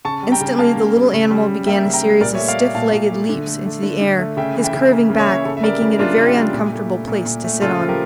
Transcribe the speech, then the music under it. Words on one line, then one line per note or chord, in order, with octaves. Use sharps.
Instantly the little animal began a series of stiff-legged leaps into the air, his curving back making it a very uncomfortable place to sit on.
C#3 A5 C#6
G3
G5 A#5
C#3
A#3 F5 A5
C#3
G3
C#3
G3
C#3
A#3 E5 G5
C#3
G5 A#5
G3
A#2 A#4 D5
C#5 E5
A3
D5 F5
A3
A#2 F5 A5
A#2
A3
D3
A3
A3
D3
D3
A3
C#3 E5 G5
E3
E5 G5
C#3
A#3
C#3
C#5 E5
E3
C#3 A4 C#5
E5
G3 A#4 D5
C#3 E4
A#3 D4 F4
C#3
E4 G4
G3
A#2
A3
A3
A#2
A#2
A3
C#3 F4 A4
F3
G4 A#4